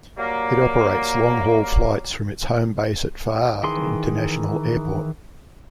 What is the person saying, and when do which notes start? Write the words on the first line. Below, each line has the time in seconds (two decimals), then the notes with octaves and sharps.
It operates long-haul flights from its home base at Faa'a International Airport.
0.18 F#3 G3 A#3
3.63 D#3 E3 G#4 C6